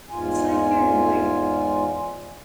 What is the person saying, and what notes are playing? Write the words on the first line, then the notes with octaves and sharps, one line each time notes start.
It's like you're like
E2 G#2 F4 G#5